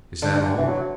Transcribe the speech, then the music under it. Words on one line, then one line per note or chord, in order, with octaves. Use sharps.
"Is that all?"
D3 D4
D4
E3
F#3